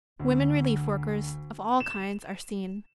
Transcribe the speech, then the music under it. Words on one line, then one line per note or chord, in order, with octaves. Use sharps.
Women relief workers of all kinds are seen.
D2
E7